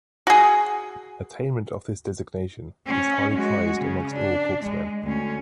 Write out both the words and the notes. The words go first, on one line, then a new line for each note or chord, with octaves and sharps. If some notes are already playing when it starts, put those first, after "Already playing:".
Attainment of this designation is highly prized among all corpsmen.
F#4 G#4
C#4
G#3 F#4
C#3 C#4
D4
G#3
D2 C#4